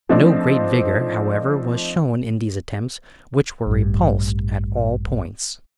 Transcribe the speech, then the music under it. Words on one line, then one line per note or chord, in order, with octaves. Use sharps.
No great vigour, however, was shown in these attempts which were repulsed at all points.
F3 A3 C4 D4 D#4
A1 G2